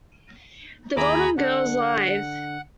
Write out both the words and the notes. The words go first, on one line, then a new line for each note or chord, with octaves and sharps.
The Golden Girls: Live!
D#2 E4 G#4 A#5 B5 D6
D3 D4 F#5